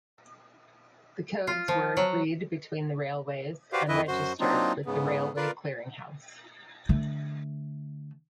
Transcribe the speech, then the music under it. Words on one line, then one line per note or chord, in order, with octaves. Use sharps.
The codes were agreed between the railways and registered with the Railway Clearing House.
F4
F3
F#3
F#4 G4 B4 C5 D5 F5
F2 E3 E4 B4 D#5 E5
F#2 F#4 C5 C6
F#3 A#3 C4 D4 D#4 F4
G#2 C#3 B3
F4 A#4 B4 D5
D3 A3